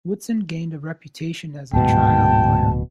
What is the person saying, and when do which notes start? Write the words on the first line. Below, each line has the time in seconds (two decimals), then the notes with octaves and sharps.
Woodson gained a reputation as a trial lawyer.
1.73 D1 G#2 B2 G5 A5